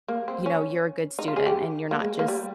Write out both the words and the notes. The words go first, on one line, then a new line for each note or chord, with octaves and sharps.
you know, you're a good student, and you're not just"
A#3
C4
C#4
D#4
F4
G#4
G4
A#3
G#3
A#3
G3